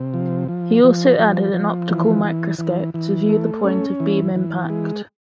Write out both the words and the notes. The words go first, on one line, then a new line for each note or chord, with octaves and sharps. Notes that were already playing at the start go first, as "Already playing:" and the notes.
He also added an optical microscope to view the point of beam impact.
Already playing: C3
F3
F3
F3
F3
F3
E3
E3
E3
E3
A3
C#4
E3
E3
G#3